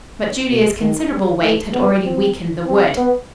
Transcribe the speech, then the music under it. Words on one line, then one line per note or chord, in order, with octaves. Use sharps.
But Julia's considerable weight had already weakened the wood.
B2
D#3
G3
A3
B3
C4
C4
B3